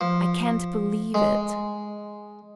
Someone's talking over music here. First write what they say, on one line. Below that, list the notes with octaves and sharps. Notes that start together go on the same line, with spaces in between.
I can't believe it!
F3
G#3